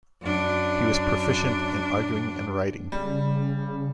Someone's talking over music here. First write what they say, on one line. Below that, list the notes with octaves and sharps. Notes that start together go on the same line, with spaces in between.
He was proficient in arguing and writing.
F#2 D4
C#3 G3